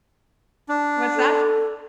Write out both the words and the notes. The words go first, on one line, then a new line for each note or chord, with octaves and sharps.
What's that?
D4
A4